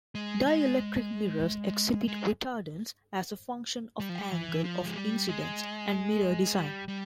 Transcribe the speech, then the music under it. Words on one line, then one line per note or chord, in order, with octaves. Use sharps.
Dielectric mirrors exhibit retardance as a function of angle of incidence and mirror design.
G#3
G#3
G#3
G3
F3
G3
E3
F3
G#3
G3
G#3
G3
G3